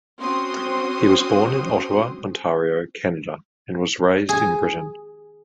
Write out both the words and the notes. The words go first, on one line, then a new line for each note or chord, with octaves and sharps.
He was born in Ottawa, Ontario, Canada, and was raised in Britain.
C4 C#4 F#4 C5 C6 D#6
G#4